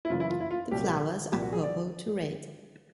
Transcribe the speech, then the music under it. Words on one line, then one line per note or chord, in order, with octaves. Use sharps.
The flowers are purple to red.
E4
F#2 C#3 E3 F4
E4
F4
E4
F4
C2 A#2 F#3 G4
C2 A#2 F3 G4
F#4
G#4
D5